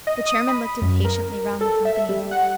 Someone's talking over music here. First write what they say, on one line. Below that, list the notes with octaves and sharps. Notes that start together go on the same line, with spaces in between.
The chairman looked impatiently round the company.
D#5
D#6
B5
F#2
A#4
A4
E5
G3
F#5